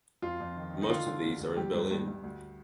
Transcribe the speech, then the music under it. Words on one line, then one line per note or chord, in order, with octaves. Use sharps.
Most of these are in Berlin.
F2 F4
F2
D#3
D#3
D#4
D3 F4
D3
D2
D2
G2 G4
G2
G2
G2
D2